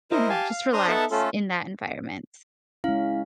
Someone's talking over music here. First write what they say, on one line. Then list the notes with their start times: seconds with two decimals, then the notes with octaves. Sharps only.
you know, just relax in that environment.
0.11 E4 A#4 C5 D#5
0.29 G4 F5 G#5 A5
0.49 F5
0.73 D4 C5 A#5 C6 D#6
0.88 B3 D#4 A4 E5 F#5 A5
1.11 A3 C#4 F4 A4
2.84 G#3 C#4 E4 F5